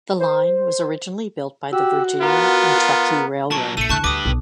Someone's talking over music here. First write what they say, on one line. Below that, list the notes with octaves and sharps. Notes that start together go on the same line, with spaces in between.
The line was originally built by the Virginia and Truckee Railroad.
C5
F#4 G4 E6
B3 F4 A#4
A#2 F#3 A5 C#6
A#1 A3 C#7 D#7
E2 D3 A5 C#6 F#6
D2 G2 B4 D6 D#6
B1